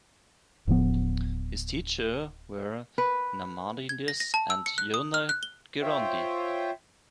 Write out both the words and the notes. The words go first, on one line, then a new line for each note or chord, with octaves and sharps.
His teachers were Nahmanides and Yonah Gerondi.
D1 A2 F3 B3
B4
G#6
A#6
A#6
A5
E6
C#7
F#6
D#6
F6
F#6
G7
F4 C5 C#5 E5 G5